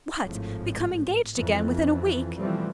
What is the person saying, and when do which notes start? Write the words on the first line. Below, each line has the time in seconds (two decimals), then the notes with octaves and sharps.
"What; become engaged again within a week!"
0.24 G#1 A2 F3 G#3
1.36 F2 E3
2.37 B2 E3 F3 G3 A3 C4